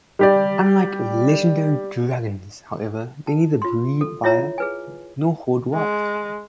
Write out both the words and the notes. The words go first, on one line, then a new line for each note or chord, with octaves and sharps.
Unlike legendary dragons, however, they neither breathe fire nor hoard wealth.
G3 G4 D5
A5
F4 C6
A4
E4 F4 C#5 E5 A#5
G#4 B4 G#5
G#3